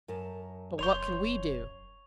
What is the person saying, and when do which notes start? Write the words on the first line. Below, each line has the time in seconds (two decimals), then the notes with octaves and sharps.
But what can we do?
0.08 F#2 A#4 A5
0.79 F1 C#5 C6 C#6 G6 F7